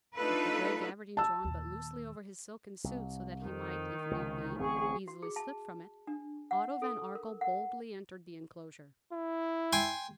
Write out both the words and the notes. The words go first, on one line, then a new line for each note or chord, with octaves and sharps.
With the gray gabardine drawn but loosely over his silken suit, so that he might, if need be, easily slip from it, Otto von Arkell boldly entered the inclosure.
A3 D4 D#4 F4 A4 B4
A5 E6
D#2 A#2
C2
F2 D#3 D#4
C#2 C3
D1 A1 C4 G#4 C#6
F#4
G#4
A5
D4
F#5
A4
A#4
F#5
E4
G5 G#5 C6